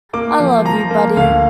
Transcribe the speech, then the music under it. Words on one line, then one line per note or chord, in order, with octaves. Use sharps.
I love you, buddy.
A#3 D6
F3
F3 A#5
A#3
D2 F5